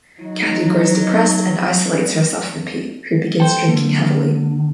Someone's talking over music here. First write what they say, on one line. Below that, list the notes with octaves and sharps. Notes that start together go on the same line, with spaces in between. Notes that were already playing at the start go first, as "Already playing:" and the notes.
Kathy grows depressed and isolates herself from Pete, who begins drinking heavily.
F#3 D#4
A4 C5 G5
D3 A#3